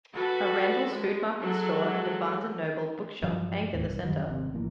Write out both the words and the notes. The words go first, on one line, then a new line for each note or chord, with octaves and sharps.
A Randall's Food Markets store and a Barnes and Noble bookshop anchor the center.
F#4 A4 B4
G#3
F#3 G#3 F#4 A4
G2 F3 F#3
E1 E2 A2 E3
C2 G2
F#2 D#3 F#3 G3
G#1 C3
A1 E3 F3 A#3